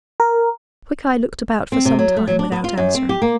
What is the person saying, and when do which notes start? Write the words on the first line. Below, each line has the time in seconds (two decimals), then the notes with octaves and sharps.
Quickeye looked about for some time without answering.
0.20 A#4
1.72 C4
1.85 C3
1.99 F#3
2.16 A3
2.27 F#3
2.39 D4
2.52 B3
2.64 F4
2.77 F#2
2.95 C4
3.09 G4
3.22 A#3